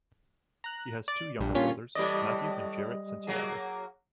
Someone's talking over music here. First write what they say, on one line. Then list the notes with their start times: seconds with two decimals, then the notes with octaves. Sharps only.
He has two younger brothers, Matthew and Jarrett Santiago.
0.64 A#5 F#6
1.08 D5
1.39 A#1 G2
1.55 G2 A#2 C#4 F4 C#5 B6
1.95 A2 E3 G3 D5 D#5
3.27 F#3 A#3 G#4